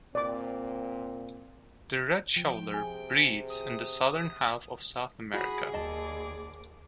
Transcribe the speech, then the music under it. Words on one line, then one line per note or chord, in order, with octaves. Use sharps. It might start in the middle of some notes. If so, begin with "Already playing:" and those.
The red shoveler breeds in the southern half of South America.
A#2 C4 D5 D6
F3 G5
C3 G#4
D#6
F#4 G#4 B5 D#6
D#2 D5 D#5 A5